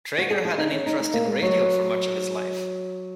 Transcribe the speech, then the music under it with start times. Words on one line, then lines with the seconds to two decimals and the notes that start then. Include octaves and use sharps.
Traeger had an interest in radio for much of his life.
0.18 F#4
0.31 G#4
0.45 G#4
0.58 D#4
0.72 C#4
0.86 D#4
1.00 D#4
1.14 A#3
1.27 G#3
1.42 F#3